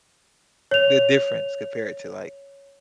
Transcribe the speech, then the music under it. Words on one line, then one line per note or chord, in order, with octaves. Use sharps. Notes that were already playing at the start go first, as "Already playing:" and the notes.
the difference compared to like
C#5 F7